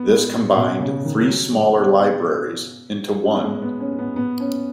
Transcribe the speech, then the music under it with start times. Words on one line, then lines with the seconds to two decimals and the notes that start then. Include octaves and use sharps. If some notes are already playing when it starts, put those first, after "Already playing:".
This combined three smaller libraries into one.
Already playing: B3
0.09 G#3
0.56 B2
0.80 C#3
1.05 D#3
1.18 G#3
1.28 F#3
1.52 G#3
1.77 B3
2.01 B3
3.25 C#4
3.34 B3
3.44 G#3
3.62 B3
3.80 C#4
3.99 B3
4.16 B3
4.40 C#4